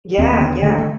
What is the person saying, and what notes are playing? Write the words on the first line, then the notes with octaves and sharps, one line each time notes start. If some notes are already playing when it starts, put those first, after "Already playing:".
Yeah. Yeah.
D#2 C4
A#3
D3 B3
D3 A3
A3